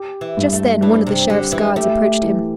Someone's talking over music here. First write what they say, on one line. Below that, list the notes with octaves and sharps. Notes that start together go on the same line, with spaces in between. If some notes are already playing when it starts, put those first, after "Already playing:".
Just then one of the Sheriff's guards approached him.
Already playing: G4
E3
G2
A3
E3 D4
C3
D3 G4
E3
A3 G4
E3